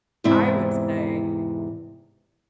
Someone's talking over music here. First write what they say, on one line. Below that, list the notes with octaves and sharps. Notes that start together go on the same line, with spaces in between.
I would say
E2 G#2 C3 C4 E4